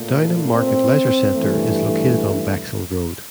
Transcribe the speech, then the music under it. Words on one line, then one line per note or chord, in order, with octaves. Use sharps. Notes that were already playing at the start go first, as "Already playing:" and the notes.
Downham Market Leisure Centre is located on Bexwell Road.
Already playing: A#2 A3
C4
G2 E3 A3